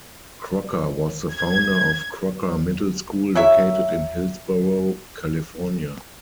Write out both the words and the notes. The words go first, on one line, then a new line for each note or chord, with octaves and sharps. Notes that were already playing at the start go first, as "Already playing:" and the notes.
Crocker was the founder of Crocker Middle School located in Hillsborough, California.
G#6
F#3 E4 E5